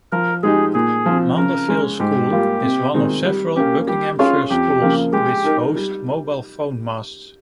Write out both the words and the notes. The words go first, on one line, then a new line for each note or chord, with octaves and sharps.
Mandeville School is one of several Buckinghamshire schools which host mobile phone masts.
F3 A#4
G#3 D#4 G4 G#4
A#2 G#4
F3 C4
C#3 A#4
G#3 C#4
G#2 G4
G3 A#3 F4
C3
D#3 G#3 C4 D#4
G3
A#3 C#4 G4
G3 G4
C#4 F4 G#4 C#5 F5
F2 G4
C#3 F3 A#3
G#3 G4
D#4 A#4
G3